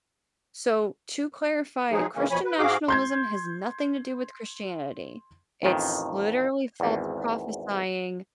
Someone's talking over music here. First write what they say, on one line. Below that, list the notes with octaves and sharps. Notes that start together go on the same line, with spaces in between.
So, to clarify, Christian nationalism has nothing to do with Christianity, it's literally false prophesying
F3 F#3 G#3 D#4 G#4
C#3 E3 G#3 A#3 C#4
E2 B2 F3 C#5 G#5 B5
B4
G#2 F#4 G#4 F5 D6
C6 G6 G#6
A1 F2 D#3
G#1 E2